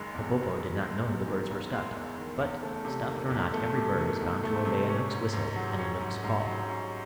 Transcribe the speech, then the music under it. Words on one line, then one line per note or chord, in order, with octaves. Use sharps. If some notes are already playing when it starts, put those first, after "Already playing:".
Popopo did not know the birds were stuffed; but, stuffed or not, every bird is bound to obey a knook's whistle and a knook's call.
Already playing: F#1 D#3 G#3
E2
D#3
F#1
G#3
E2
D#3
F#1
G#3
E2
D#3
E2
A3
C3
D#3
E2
A3
C3
D#3
E2
A3
C3
C#4
G#2
G#2
F#3
C#4
G#2
G#2
F#3
C#4